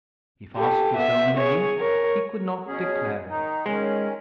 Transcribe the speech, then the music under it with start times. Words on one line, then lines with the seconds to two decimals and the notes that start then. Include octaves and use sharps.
If asked his own name, he could not declare it.
0.56 G4 A4
0.97 B3 E5
1.37 G#4 C#5
1.78 A#4 C#5
2.67 B2 C#4 G#4
3.29 D#3 D#4
3.66 D#3 G#3 C#4